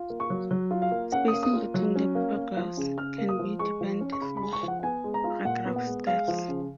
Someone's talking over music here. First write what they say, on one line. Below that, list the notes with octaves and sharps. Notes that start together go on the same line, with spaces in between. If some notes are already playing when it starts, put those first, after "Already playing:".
Spacing between the paragraphs can be defined through paragraph styles.
Already playing: F4
A#3
C#6
F#3
F#3
F4
F5
A#3
C#4 F#5
D#6
A#3
D#6
F4
F#3
C#4
A#3
A#3
F3
C#3
C#3 F6
A#3
D#6
F3
G#3 C#6
F3
C#4
C#6
C#3 B5
B5
G#3
C#6
F3
F#5
F#5
B3 G#5
G#3
A#5
F4
A#2 F#5
B3
F#5
G#3
G#3 F5
F3
C#3